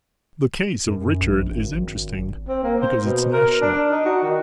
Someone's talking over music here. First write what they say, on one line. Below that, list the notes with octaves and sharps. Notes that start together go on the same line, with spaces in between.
The case of Richard is interesting because it's national.
F#2
A#1
G#1
C4
A#3
C5
B2
A#4
D4
D#4
F#4
D#3